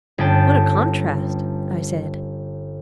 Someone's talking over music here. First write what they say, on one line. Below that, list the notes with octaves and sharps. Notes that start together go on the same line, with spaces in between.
"What a contrast!" I said.
G1 C#4 G5 A5